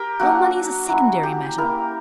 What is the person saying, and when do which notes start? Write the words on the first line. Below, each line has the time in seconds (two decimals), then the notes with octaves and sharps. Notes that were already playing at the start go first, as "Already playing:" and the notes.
Well, money is a secondary matter.
Already playing: G4 A#4
0.20 F#3 A#3 D4 F#4
0.89 F#3 C#4 E4
1.23 G4
1.58 A#3 E4 A#4